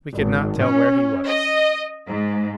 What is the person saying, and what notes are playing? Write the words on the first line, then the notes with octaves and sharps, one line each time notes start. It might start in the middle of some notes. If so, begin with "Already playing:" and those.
We could not tell where he was.
G#1
C#4
D#5
G#2